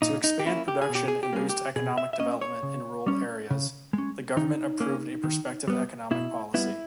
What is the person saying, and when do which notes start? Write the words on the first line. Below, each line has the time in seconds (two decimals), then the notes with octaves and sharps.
To expand production and boost economic development in rural areas, the government approved a perspective economic policy.
0.02 A#2 D#4
0.24 D#4
0.40 G4
0.45 A#3 C#4 E4
0.68 G4
0.82 G#4
0.89 B2
0.95 G4
1.08 G#4
1.23 G4
1.33 G3 A#3 C#4 G#4
1.49 G4
1.76 B2 G#4
1.98 E5
2.13 E5
2.19 A#3 C#4 D#5
2.41 C#5
2.63 C#3
3.06 G3 C#4
3.51 C#3
3.93 G#3 C#4
4.37 D#3 D#4
4.80 A#3 C#4
5.24 D#3
5.68 G3 B3
6.11 B2 E4
6.54 G3 B3 E4